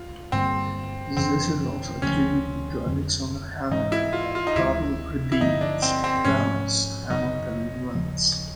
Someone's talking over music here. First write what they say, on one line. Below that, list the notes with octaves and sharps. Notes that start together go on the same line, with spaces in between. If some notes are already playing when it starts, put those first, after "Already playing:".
This is also attributed to Alexander Hamilton, but probably predates both Hamilton and Vance.
Already playing: C#2 F4
G2 D3 G3 A#3 C4
F#2 C#3 E3 C4
D2 C#3 F3 A3 C#4
F2 D3 F#3
G#2 E3 G#3 C4 D#4
E4
F4
F4
D#4
D2 C3 D#3 G#3 E4
E4
G2 D3 F3 D#4
D4
C4
C4
G#2 F3 A3 C#4
F#2 C#3 F#3 D#4
D#2 C#3 F3